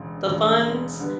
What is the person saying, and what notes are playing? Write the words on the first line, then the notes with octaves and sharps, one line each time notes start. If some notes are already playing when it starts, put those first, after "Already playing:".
the funds,
Already playing: E1 D2 C#3
E1 D2 C#3
D3 G3 B3